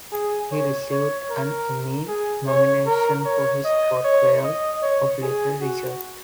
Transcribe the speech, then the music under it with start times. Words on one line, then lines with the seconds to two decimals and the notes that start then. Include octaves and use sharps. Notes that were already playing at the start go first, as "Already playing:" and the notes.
He received an Emmy nomination for his portrayal of Little Richard.
0.12 G#4
0.51 C#5
0.91 C#5
1.30 A#4
2.08 G#4
2.47 C#5
2.87 A#4
3.26 C#5
3.65 D#5
4.05 C#5
4.43 D#5
4.82 C#5
5.22 G#4
5.61 F#4